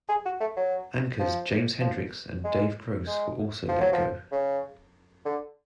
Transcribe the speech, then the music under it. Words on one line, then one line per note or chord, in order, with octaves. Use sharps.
Anchors James Hendricks and Dave Gross were also let go.
G#4
F#4
A3
F#3
F3
F3
G#3
G#3
F3
F#3
F3
C#3
D3